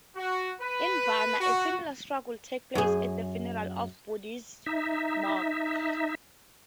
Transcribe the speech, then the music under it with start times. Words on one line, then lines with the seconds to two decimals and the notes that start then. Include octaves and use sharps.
In Burma, a similar struggle takes place at the funeral of a Buddhist monk.
0.16 F#4
0.61 B4
1.40 F#4
2.75 F#2 G#4
4.66 D#4 E5